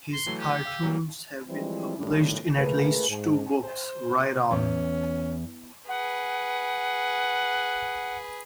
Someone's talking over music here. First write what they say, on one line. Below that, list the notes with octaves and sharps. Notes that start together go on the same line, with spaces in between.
His cartoons have been published in at least two books: Wright On!
C6
E3 F#3 A3
G4
F5 E6
F#3 G3 A#3
E3 F3 G3 G#3 C4 E4
F#2 A2 D#3 G3
C#2 A3 G#4 A#4 B4
G#2
C5
E2 C#4
G#4 B4 F#5